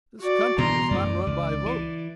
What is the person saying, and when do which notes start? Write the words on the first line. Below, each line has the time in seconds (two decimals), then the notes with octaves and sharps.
This country is not run by votes.
0.19 F#4 D5
0.58 G2 B2 E3 A#5 C6
0.91 F#2 E3 A3 D5
1.27 C#2
1.66 E3